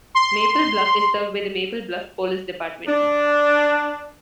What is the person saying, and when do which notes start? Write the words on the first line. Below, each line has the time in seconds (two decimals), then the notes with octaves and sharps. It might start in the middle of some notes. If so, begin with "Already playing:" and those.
Maple Bluff is served by the Maple Bluff Police Department.
0.15 C6
2.88 D4